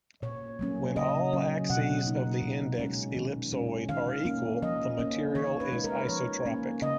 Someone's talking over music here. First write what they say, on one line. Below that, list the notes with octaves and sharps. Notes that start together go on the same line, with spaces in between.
When all axes of the index ellipsoid are equal, the material is isotropic.
A#2 C#5
F#3 A#3 C#4
C#3 D#5
F#3 C#4
B2 F#5
A#3 D#4
A#2
G#3 C#4
D#3
G#3 C#4
D#3 F5
A#3 C#4
F3 D#5
A#3 C#4
D#3 C#5
B4
G#3 D#4
A#4
F3 C#5
A#3 C#4
C#3 D#5